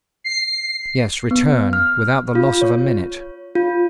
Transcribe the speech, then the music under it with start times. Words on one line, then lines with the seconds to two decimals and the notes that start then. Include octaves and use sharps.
"Yes, return, without the loss of a minute."
0.24 C7
1.31 B3
1.73 F6
2.35 F4
2.61 C#5
3.55 F4